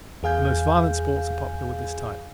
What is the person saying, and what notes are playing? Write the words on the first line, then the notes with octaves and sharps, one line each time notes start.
The most violent sports are popular with this type.
E2 G#4 F5 G#5 G6